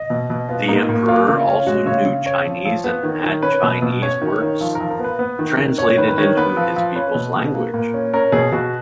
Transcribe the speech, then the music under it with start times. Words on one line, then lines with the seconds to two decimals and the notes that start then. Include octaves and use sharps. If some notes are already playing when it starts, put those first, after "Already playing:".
The Emperor also knew Chinese and had Chinese works translated into his people's language.
Already playing: D#5
0.10 B2
0.30 B2
0.49 B3 F4
0.68 A#2 D#4
0.89 A#2
1.08 A#3 F4
1.28 C#3
1.47 C#4
1.67 G#3 F#4
1.86 C#3 C#5
2.05 C#3
2.26 C#4 C#5
2.45 F3
2.65 F3
2.84 B3
3.03 D#3
3.24 D#3
3.42 C#4 B4
3.63 B2
3.82 B2
4.02 C#4 C#5
4.21 D#3
4.41 D#3
4.61 F3
4.75 A#4
4.80 F3
4.90 A#4
4.99 B3
5.04 B4
5.19 B3
5.39 D#3
5.58 D#3
5.78 C#4 C#5
5.97 D#3 B4
6.08 B4
6.18 D#3 C#5
6.37 B3 B4
6.57 F3
6.76 F3
6.95 C#4 B4
7.15 B2
7.35 B2
7.54 A#3
7.74 A#2
7.94 C#4
8.13 C#4 A#4
8.32 B2 G#4
8.52 B2 F#4